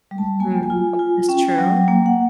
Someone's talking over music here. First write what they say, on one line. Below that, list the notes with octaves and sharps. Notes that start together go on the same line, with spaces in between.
Mhm. That's true.
G3
A5
A#3 G#5
G5
G#5
F4
F4
C#4 G5
F#3
A#3
F#5